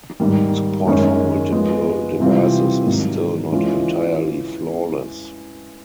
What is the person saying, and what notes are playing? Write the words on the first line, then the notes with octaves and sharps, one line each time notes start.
Support for multiple devices is still not entirely flawless.
G#2 D#3 G3
F#2 D#3 G#3 C#4
F3 G#3 B3
C3 E3 G3 C4 F4
G#2 D#3 F#3
E3 G#3 C#4 F4